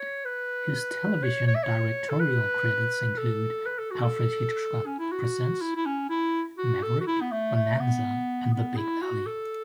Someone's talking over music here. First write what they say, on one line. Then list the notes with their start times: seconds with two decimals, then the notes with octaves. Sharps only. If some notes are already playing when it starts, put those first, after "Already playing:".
His television directorial credits include "Alfred Hitchcock Presents", "Maverick", "Bonanza" and "The Big Valley".
Already playing: C#5
0.25 B4
1.23 C#5
1.47 C#5
1.55 E5
1.63 C#5
2.09 A4
2.20 B4
3.18 A4
3.66 B4
3.79 A4
3.91 F#4
4.04 A4
4.86 C#4
4.99 E4
5.12 F#4
5.61 E4
5.76 E4
5.86 C#4
6.10 E4
6.58 F#4
6.83 A4
7.01 F#4
7.07 E4
7.21 B3
7.31 A3
7.56 A3
7.80 B3
8.53 B3
8.77 E4
9.02 F#4
9.26 A4